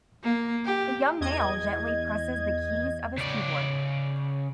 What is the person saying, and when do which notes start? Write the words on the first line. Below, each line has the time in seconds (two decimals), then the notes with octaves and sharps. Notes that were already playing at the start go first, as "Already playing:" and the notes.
A young male gently presses the keys of his keyboard.
0.23 A#3
0.65 G4
1.21 E2 D#5 G#6
3.17 C#3 D5